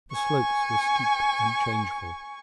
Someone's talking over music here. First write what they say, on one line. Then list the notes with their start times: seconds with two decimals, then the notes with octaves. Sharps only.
The slopes were steep and changeful.
0.11 G#5 C#6